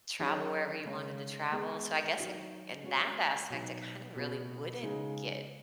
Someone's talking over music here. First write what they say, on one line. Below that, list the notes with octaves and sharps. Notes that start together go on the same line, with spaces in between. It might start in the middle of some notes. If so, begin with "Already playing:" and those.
travel wherever you wanted to travel, so, I guess i in that aspect it kinda really wouldn't get
D#3 F#3 C#4 G#4
C#3 G#3 C#4
G#3 B3 G#4
D#3 F#3 D#4 F#4
G#3 C#4 F#4
B2 F#3 D#4
B2 B3 F#4
C#3 G#3 D#4 G#4